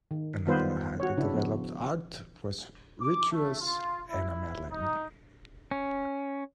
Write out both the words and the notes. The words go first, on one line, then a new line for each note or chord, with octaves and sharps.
Another highly developed art was vitreous enameling.
D#3
D#3 G3 B3 F4 B4 C5
F#4 C#5
C#3 D4 E4
F3 B3
D6
A3
F4
E4
D#4
C#4